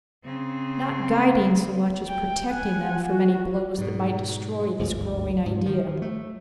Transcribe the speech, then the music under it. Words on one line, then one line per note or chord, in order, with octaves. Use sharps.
Not guiding so much as protecting them from any blows that might destroy this growing idea.
C#3 C4
G5
F#5 G#5
F#4
G#2 B2
G1 D2 G#2
G#2 C3
D#3 F3
A3